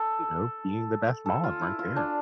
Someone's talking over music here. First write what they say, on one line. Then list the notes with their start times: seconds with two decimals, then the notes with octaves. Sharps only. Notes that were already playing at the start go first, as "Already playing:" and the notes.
you know, being the best mom right there.
Already playing: A4
1.26 A4
1.44 F4
1.61 E4
1.79 F4
1.96 D4